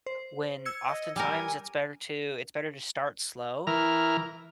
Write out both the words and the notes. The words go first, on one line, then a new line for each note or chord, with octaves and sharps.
when oftentimes it's better to it's better to start slow
C5
E6 G#6 C#7
D#5
G3 A#4 G#5
E3 A#4 F6